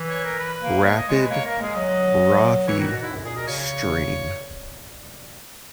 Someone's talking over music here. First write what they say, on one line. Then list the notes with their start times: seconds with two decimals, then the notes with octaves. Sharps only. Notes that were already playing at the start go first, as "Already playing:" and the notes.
Rapid Rocky Stream.
Already playing: E3
0.09 C#5
0.24 A#4
0.39 B4
0.62 A#3
0.85 C#5
0.97 D#5
1.08 G#3 C#5
1.20 B4
1.30 A#3 C#5
1.46 A#3 A#4
1.61 G#3 G#4
1.76 F#3 D#5
2.67 E3 C#5
2.79 D#3 F#4
2.91 B2 F#4
3.01 G#2 E4
3.13 F#2
3.24 A#2 G#4
3.36 B2 A#4
3.47 C#3 C#5
3.59 C#5